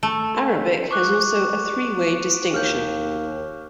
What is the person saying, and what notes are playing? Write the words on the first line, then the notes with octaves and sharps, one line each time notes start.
Arabic has also a three-way distinction.
A3
C#6 D6 F#6
D#2 F6 G6